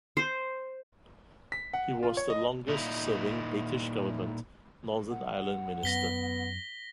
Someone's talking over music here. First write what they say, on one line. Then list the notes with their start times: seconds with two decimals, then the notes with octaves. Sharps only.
He was the longest serving British government Northern Ireland minister.
0.17 C5
1.52 B6
1.73 F#5
2.03 F4
2.17 C#5
2.30 D#5
2.68 A#2 D#4 E4
5.10 F#5
5.83 F#2 B3 A#6 B6 G7